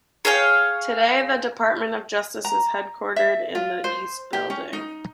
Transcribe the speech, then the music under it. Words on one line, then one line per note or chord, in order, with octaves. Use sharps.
Today the Department of Justice is headquartered in the East Building.
G#4 C#5 F5 G5
A#5
E5
F4
C5
G4
C#4
D#4